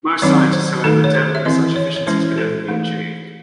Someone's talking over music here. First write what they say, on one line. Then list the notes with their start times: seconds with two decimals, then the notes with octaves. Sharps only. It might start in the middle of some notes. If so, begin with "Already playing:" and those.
Most scientists, however, doubt whether such efficiencies could ever be achieved.
0.22 D#3 F#3 C4 D#4 C#5
0.53 C5
0.84 D#3 A3 D#4 A4
1.04 C#5
1.15 C5
1.35 E5
1.45 E3 C4 E4 D#5
1.76 C#5
1.96 C#5
2.07 E3 G#3 C#4 E4 C5
2.38 A4
2.68 E3 A3 D#4